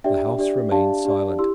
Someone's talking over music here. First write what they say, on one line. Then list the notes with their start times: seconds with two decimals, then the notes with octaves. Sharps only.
The house remained silent.
0.04 D4 G4 D5 E5 G5
0.38 D4 G4 D5
0.71 D4 G4 D5 F5 A5
1.05 D4 G4 D5
1.39 E4 G4 C6 E6